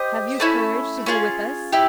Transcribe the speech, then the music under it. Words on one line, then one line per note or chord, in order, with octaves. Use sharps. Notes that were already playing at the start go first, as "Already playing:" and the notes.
Have you courage to go with us?
Already playing: G4 C5 D#5
A3 C#4 E4
C#4 F4 G#4
E4 G4